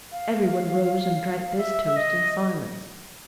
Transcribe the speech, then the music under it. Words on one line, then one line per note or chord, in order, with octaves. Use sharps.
Everyone rose and drank this toast in silence.
F5
E5
E5
D#5